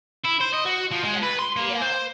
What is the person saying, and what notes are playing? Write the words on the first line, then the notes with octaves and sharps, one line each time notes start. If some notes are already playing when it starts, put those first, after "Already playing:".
Yeah, yeah.
E4
C5
D#5
F#4
F3
G#3
B4
C6
A#3
C5